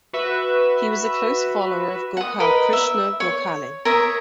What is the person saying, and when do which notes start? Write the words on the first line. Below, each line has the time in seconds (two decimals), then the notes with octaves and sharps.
He was a close follower of Gopal Krishna Gokhale.
0.13 F#4 B4 E5
2.17 F#5 D#6
2.40 A#4 B4 D#5
2.73 E5
3.20 C#5
3.85 A#4 C#5 E5 D#6